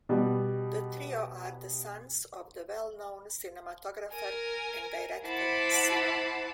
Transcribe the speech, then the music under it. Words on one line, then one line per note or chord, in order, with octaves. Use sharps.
The trio are the sons of the well known cinematographer and director Sivan.
B2 G3
A#4 G#5
E4 C5 F#5 A5 B5 D6